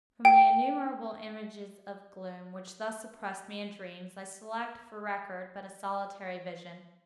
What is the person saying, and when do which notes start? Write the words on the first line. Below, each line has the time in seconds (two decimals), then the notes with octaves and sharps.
From the innumerable images of gloom which thus oppressed me in dreams, I select for record but a solitary vision.
0.25 G5